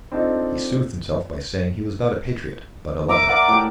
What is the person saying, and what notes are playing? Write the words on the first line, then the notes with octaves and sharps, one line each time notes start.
He soothed himself by saying he was not a patriot, but a lover.
C4 D4 D#4 F4 A4
A#4 E5 A#5 D6
A#4 D5 F#5
A2 G4